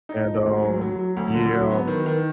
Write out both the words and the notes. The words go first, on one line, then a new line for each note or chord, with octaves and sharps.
and, um, yeah,
D#4
F3
D2
F#3
F#3
F#3
D2
D3
F#3
B3
D#3
D#3